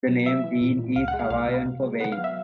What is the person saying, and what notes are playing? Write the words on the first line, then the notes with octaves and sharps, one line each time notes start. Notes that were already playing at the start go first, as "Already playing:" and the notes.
The name Wene is Hawaiian for "Wayne".
F#3
E3 E5
E3
A#2
A#2
C#2 F5
F#5
G#3
F5
C2 F5
B2
C3
G#3
B3 F#5
F5
F#3
E5